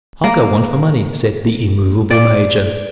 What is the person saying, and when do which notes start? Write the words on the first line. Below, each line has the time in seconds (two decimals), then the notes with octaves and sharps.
"I'll go on for money," said the immovable major.
0.24 A#3
2.10 D5